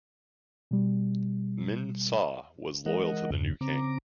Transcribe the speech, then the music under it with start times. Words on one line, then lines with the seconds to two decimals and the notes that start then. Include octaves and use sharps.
Min Saw was loyal to the new king.
0.71 B2 G3
2.86 E3 G#3 A#4 D#5 F#5
3.31 E2 G2 C#3
3.61 C#3 C4 A#5 D6